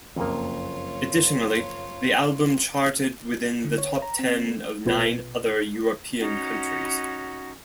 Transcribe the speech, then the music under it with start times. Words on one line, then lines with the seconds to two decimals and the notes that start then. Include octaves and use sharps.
Additionally, the album charted within the top ten of nine other European countries.
0.16 F#1 F2 A#3 F4 C#5
3.65 D3
3.78 C#5
4.02 A#5
4.19 C4
4.46 A3
4.85 A#1 B2 F4 B4 G#6
6.18 C#4 D#4 F#4 F#5